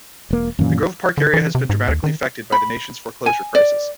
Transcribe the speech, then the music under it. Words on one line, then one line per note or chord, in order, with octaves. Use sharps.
The Grove Park area has been dramatically affected by the nation's foreclosure crisis.
E1 A#3
F#2 A#2 D#3 E3 C#4
D3
E3
C3
G#2
D#2
D#3
B5
G#5
D5